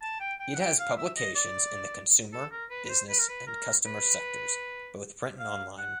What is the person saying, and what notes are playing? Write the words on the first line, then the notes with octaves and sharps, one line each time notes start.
It has publications in the consumer, business and customer sectors, both print and online.
A5
G5
G5
F#5
G5
F5
E5
D#5
D5
A4
A#4
B4
B4
C5
B4
A#4
B4
A#4
B4
F5
F#5